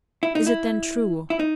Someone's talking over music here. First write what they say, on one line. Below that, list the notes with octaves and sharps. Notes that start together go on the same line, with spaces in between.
Is it then true?
E4
D#4
E4
E4
D#4